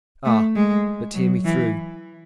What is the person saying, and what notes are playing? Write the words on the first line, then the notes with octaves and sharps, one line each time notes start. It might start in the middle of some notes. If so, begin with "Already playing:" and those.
Ah, but hear me through.
A3
G#3
F#3
E3